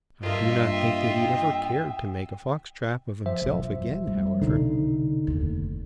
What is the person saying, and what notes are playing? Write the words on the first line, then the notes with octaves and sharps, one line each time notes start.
I do not think that he ever cared to make a fox-trap of himself again, however.
G2 A#3 F4 D#5 E5
G5
F3 C5 E5
E1 F#3
G3
C2 B2 D3 D#4
F1 D#2